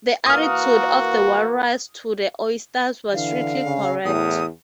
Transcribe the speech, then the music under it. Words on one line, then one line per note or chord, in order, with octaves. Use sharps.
The attitude of the walrus to the oysters was strictly correct.
E3 A#3 F#4 D#6 F6
D3 E3 F5
C#3
E2 A2 D#6